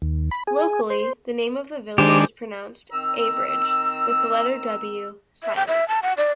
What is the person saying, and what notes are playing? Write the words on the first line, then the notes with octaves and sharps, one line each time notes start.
Locally, the name of the village is pronounced 'A-bridge', with the letter 'w' silent.
D#2
B5
G#4
C5
D#3 G#3 D4 G4 C5
D#3 C4 A#5 E6
E5
G5
E5
A5
F#5
D5